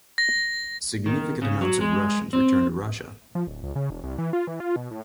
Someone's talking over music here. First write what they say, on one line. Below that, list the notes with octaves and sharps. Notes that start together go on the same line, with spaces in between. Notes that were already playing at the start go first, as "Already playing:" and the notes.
Significant amounts of Russians returned to Russia.
A#6
D#3
C#3
F#3
G#3
C4
F3
D1
C#2
C#3
E1
C2
E3
F4
E3
F4
B2
A2